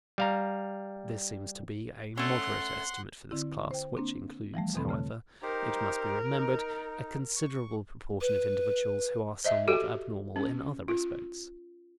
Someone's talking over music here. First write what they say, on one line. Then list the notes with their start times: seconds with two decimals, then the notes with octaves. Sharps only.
This seems to be a moderate estimate for this class, which includes, however, it must be remembered, a considerable proportion of individuals who are somewhat abnormal in other respects.
0.18 G3 F5 A#5
2.17 A3 C#4 F#5 C6
3.31 D3 C4 E4
3.71 C5 G5
3.97 A#3 C4 D4
4.54 E3 F3 G3 A3
4.74 E2 B2 D#3 C4 A4 B5
4.89 C#3 A3
5.42 D#4 G4 A#4 C5
6.32 D#4
7.36 C#6
8.21 B4
9.44 C5 D#5 E5
9.68 F#4 G4 A4
10.36 C#4
10.88 F4